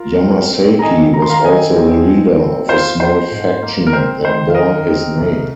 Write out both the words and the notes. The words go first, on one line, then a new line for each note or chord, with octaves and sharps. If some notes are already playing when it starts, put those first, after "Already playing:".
Yamasaki was also the leader of a small faction that bore his name.
Already playing: F4 A#4
C4
C4
A#5
D#3 D#5 G#5
D#3 A#5
C6
F5 A#5
C4 D#5 G#5
C4
F3
C4
F4 C5 F5
F4 C5
G#2
A#3
A#4
C4 C5
D#3 C5
F5
D#3 A#4 D#5
C4
C2